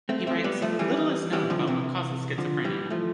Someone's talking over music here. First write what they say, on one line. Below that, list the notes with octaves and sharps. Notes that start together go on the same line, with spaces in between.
He writes, Little is known about what causes schizophrenia.
A3 C4
A3 C4
G3 B3
F3 A3
E3 G3
E3 G3
D3 F3
C3 E3
D3 F3
E3 G3
F3 A3